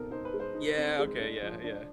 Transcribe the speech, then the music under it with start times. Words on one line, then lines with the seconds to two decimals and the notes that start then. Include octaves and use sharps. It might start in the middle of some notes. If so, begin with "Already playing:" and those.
Yeah, okay. Yeah, yeah.
Already playing: B2 C4 D#4 A4 A#4
0.11 D#4 C5
0.25 B4
0.34 G#3
0.40 C5
0.55 D#4
0.77 C4
0.99 G#3
1.20 D4
1.43 F3
1.64 D4